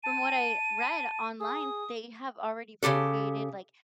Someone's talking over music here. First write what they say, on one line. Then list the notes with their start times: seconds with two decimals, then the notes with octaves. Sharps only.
from what I read online, they have already recreated, like,
0.03 A5 D#7
1.40 G#4 D#6
2.83 C#3 F4 G4 A4